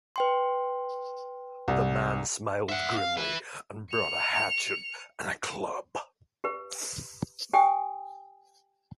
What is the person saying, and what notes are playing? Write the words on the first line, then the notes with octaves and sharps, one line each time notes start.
The man smiled grimly, and brought a hatchet and a club.
B4 G5 C6
C2
E5 F#5
F5
E4 B4
C#7 F7
G4 B4
G4 G5 G#5 D#6